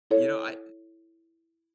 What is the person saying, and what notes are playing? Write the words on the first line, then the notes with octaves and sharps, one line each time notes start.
You know, I, uh
E4 A4 C#5